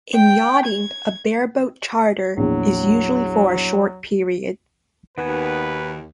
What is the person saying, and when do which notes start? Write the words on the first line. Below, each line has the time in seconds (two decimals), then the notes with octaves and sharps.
In yachting a bareboat charter is usually for a short period.
0.15 G5
0.65 G#6
2.37 A#1 E2 F#3
5.18 D#2 D#3 B3 F#4 B4 G#5